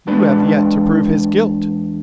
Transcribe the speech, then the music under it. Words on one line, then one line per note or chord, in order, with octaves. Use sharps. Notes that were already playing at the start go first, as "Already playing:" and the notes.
"You have yet to prove his guilt."
E2 G#3 D4 B4 D5